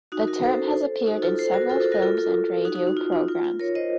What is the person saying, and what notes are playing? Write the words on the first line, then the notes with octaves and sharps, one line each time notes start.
The term has appeared in several films and radio programs.
D#4 F#4
F#4 A#4
A4 C5
D#4 F#4
F4 A4
A4 C5
F#4 A#4
F4 A4
A4 C5
F#4 A#4
F4 A4
F4 A4
D#4 F#4
D#4 F#4
D#4
F4
D#4
F4
F4
A#4 C#5
C5 D#5